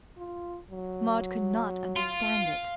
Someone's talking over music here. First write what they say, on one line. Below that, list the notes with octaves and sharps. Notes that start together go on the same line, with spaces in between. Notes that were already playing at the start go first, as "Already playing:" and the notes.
Maud could not understand it.
F4
F#3
F5 C6